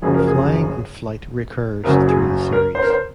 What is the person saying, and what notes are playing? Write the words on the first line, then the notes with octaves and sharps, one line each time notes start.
Flying and flight recurs through the series.
F#1 F#2 F3 G#4
A#4
G#4
F#1 F#2 C#3 F#3 A#4
G#4
A#4
C5
A#4
C5